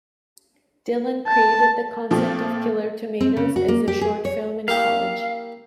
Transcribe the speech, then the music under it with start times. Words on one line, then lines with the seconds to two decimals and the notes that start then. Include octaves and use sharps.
Dillon created the concept of Killer Tomatoes as a short film in college.
1.28 A5
2.11 A#2 F3 A3 C4
3.21 C4
3.37 C#3
3.56 F#4
3.68 A#3
3.88 G4
4.01 G#4
4.25 C#5
4.68 A#3 E4 G4 F5